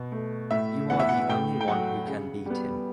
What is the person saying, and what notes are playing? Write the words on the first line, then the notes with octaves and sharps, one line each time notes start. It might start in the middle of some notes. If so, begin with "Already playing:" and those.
You are the only one who can beat him.
Already playing: B2
A3
A2 E5
E3 B3 F#5
E5
F#5
A2 G5
G5
F#3 A3 F#5
C#3
G3 B3